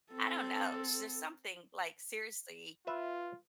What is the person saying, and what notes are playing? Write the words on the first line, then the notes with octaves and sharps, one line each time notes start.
I don't know sh there's something, like, seriously,
C4 A4
F4 B4 E5